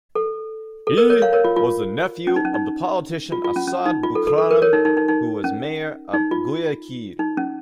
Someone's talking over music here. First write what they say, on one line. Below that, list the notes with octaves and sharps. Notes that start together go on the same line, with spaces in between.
He was the nephew of the politician Assad Bucaram, who was mayor of Guayaquil.
A4
A4
A#4
A#4 C#5
C#5 F5
A#4 C#5
F4
F4
C#4
D#4
C#4
D#4
F4
F4
C#4
C#4
D#4
F4
A4
A4
A4
A#4
A#4 C#5
D#4
D#4
D#4
D#4
C#4
D#4
F4
D#4
C#4